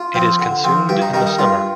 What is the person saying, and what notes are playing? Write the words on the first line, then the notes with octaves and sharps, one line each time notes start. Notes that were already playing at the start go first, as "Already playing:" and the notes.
It is consumed in the summer.
Already playing: F4
F3 C4
D3
F3 C4
G2 G4
D#4
D#3 G3 D#4
D#4
G2 F4